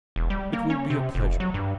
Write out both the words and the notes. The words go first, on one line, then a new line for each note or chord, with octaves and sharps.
"It will be a pleasure."
E1
G3
A#3
C#4
C3
F1
F#3
G2